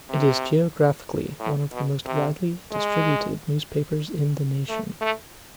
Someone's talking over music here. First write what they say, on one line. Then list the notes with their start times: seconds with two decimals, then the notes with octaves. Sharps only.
It is geographically one of the most widely distributed newspapers in the nation.
0.09 C3
1.40 A2
1.73 B2
2.06 C3
2.72 G#3
4.69 A3
5.02 A3